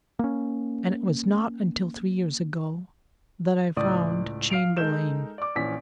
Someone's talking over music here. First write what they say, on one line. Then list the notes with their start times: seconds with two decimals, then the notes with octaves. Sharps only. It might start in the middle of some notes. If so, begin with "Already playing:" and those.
And it was not until three years ago that I found Chamberlayne.
0.19 A#3 C#4
3.76 C#2 A2 D5 D#6
4.50 F5 F6 C7 D7 F7
4.77 G#3 D#4 A4 A#4 G6 E7
5.38 D5 D6
5.56 A#1 E3 C#4 B6